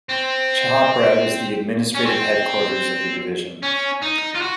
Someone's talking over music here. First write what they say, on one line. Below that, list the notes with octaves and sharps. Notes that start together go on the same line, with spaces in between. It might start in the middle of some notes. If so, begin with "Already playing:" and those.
Chhapra is the administrative headquarters of the division.
C4
C#4
C4
C#4
D#4
F4
F#4